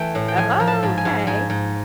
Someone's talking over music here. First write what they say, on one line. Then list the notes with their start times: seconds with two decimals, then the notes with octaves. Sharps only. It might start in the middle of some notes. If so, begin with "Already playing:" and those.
Oh, okay,
Already playing: E3 A3 G5
0.15 A2
0.28 G5
0.37 F3 G#5
0.60 F3
0.67 A5
0.83 G#2
0.97 G#5
1.05 G#2
1.27 G#2 G#5
1.50 G#2